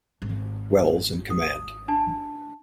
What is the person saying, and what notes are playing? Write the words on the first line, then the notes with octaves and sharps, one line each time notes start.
Wells in command.
G#1
D#6
D4 A5